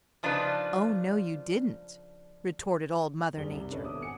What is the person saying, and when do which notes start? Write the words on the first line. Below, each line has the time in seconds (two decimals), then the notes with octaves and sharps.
"Oh, no, you didn't," retorted Old Mother Nature.
0.23 C#3 F3 D4 D#4 F4 B4
3.37 F#1 D#3 G3 G#4 D5 G7
3.51 C2
3.71 C#4 D4 A4 B4 C#5 D#5
3.84 G#1 B2 A4 E5 D6 D#6
4.02 F#5 G#5 C#7